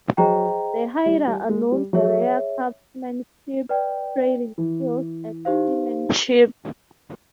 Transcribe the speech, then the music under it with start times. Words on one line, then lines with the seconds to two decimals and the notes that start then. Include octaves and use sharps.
The Haida are known for their craftsmanship, trading skills, and seamanship.
0.17 F#3 G#4 C5 D#5 G5 A#5
1.06 G3
1.27 G3
1.49 G#3
1.72 G3
1.93 F#3 G#4 C#5 E5
3.69 B4 D5 G5
4.58 E3
5.45 D#4 G4 C5 F5